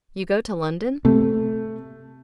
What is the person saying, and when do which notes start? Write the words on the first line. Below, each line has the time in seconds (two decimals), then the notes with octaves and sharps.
"You go to London?"
1.05 C3 A3